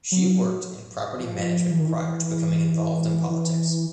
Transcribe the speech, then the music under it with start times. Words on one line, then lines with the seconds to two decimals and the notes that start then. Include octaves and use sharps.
She worked in property management prior to becoming involved in politics.
0.12 F#3
1.19 F3
1.71 E3
1.80 D#3
1.87 E3
3.30 E3